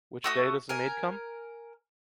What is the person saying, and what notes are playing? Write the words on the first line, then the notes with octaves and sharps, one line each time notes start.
Which day does the maid come?
A3 F#4 D#6
A#4 G#5